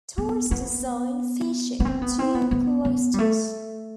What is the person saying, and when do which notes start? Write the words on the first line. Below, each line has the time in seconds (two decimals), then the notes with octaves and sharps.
Torres's design featured two cloisters.
0.18 B3
0.51 B3
1.80 B3
1.85 C4
2.02 B3
2.19 C4
2.35 B3
2.51 B3
2.85 B3
3.14 G3
3.19 A3